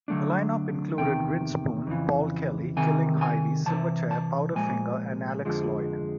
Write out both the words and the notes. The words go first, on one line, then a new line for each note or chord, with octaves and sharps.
The line-up included Grinspoon, Paul Kelly, Killing Heidi, Silverchair, Powderfinger and Alex Lloyd.
D3 F#3 A3 D4
E2 C3 D#3 G5
F2 C#3 E3
C3 D#3 G#5
G#5
C3 E3 A5
A5
A#2 F3 G#3 G#5
F2 D3 F3 G#3